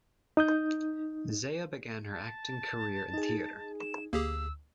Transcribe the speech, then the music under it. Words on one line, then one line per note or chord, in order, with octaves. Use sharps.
Zea began her acting career in theatre.
D#4 D#6 G6
A5
D#4 G#4
E7
D2 A#3 G4 G#4 E6